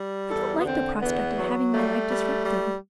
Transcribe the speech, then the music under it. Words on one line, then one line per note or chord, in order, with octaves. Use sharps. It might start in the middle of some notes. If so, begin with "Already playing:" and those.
I don't like the prospect of having my life disrupted.
Already playing: G3
E2 A4
B3
D3 C4
E2 B3
F#3
G3 A3
G3
G3